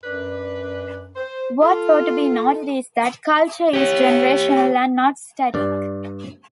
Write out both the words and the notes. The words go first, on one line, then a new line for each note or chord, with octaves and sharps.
What ought to be noted is that culture is generational and not static.
F#2 D4 B4
C5
F4 A4
G4 C#5
G2 D5